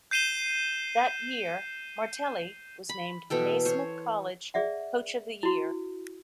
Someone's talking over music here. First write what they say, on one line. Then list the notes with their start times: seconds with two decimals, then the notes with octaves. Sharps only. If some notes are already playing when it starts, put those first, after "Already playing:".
That year, Martelli was named Naismith College Coach of the Year.
0.11 G6 C7 D#7 E7 G7
2.89 B5
3.30 B2 E3 A4 G5
3.65 C5 C#5
4.54 G#4 D5 E5 F#5
5.43 E4 F#4